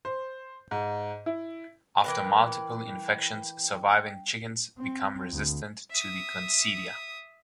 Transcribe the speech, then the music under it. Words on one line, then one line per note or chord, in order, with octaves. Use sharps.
After multiple infections, surviving chickens become resistant to the coccidia.
C5
G#2
E4
E3 A#4 B4 G5
C4
D2
E5 D#6